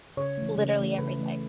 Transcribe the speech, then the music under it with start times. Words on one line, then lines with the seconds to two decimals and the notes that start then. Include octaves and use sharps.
Literally everything.
0.17 C#3 C#5
0.38 E3 A3
0.58 C#3
0.79 E3 A3
0.99 C#3 B4
1.19 E3 A3